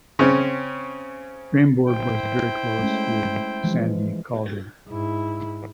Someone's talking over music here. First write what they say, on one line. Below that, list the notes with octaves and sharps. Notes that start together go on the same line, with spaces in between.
Kreymborg was very close with "Sandy" Calder.
C#3 C4 C#4
E4 C5 G5
G#3 A3 C#4
E3 F3 G#3
G#2 E4